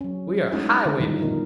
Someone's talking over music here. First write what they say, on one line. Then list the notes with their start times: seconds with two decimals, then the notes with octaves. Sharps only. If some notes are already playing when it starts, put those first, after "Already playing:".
We are highwaymen.
0.01 F#3 C#4
0.52 G#3 A3 C#4 D#4 E4 F#4
0.85 D3 A4
1.00 D#3 F3 G3 D#4 E4
1.22 A#2 B3 D#4 A#4